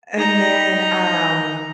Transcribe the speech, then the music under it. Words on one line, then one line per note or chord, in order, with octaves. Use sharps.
And then, um,
D#4 A#5